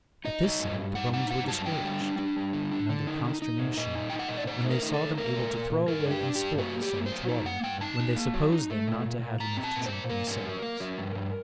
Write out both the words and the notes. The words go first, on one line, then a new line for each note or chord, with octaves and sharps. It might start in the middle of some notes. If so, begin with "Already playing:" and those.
At this sight the Romans were discouraged, and under consternation, when they saw them able to throw away in sport so much water, when they supposed them not to have enough to drink themselves.
D#4 D#5
F#3
G2
G2
D#4 F#5
D#4 F#5
G2 F#5
F#3 A5
D3 G5
G3
D4
D4
G3
D3
D4
D3
D#4
D#4
D#4
A#2
A#2 D#5
D#4
D#4 G5
F#5
A#2 D#5
D5
D#4 C5
A3
A#4
D#4
A4
A3
A3 A#4
A#2
A#2
A#2
G2 A#4
D4
G4
D4
G4
G2
A#3 F#4
F#3
G4
A#3
C5
F#3
D#4
A#3 F#5
G2 G5
D#4 A5
D#4
A#3
F#3
D#4
A3
A#2
A#2
A#2
A#2 A#5
C4
A5
A#2
C5
A#2
A#3 A#4
G2
F#3
A#3
F#3
G2
G2